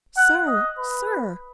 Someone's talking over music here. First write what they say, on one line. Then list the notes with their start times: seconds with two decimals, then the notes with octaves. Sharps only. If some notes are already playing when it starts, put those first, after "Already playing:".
"Sir! sir!"
0.17 F#5
0.47 D#5
0.78 B4